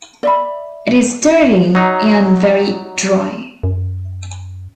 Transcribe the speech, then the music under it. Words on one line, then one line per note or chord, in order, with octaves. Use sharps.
It is dirty and very dry.
D5 E5 B5
F#3 D#4
F#2